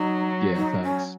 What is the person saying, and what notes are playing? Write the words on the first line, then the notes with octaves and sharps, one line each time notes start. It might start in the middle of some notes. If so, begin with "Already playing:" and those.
Yeah, facts.
Already playing: F#3 D#4
D#4
C#4